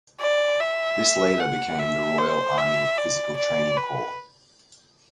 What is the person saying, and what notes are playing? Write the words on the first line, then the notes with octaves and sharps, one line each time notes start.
This later become the Royal Army Physical Training Corps.
D5
E5
F#5
E5
C5
E5
D5
D5
B4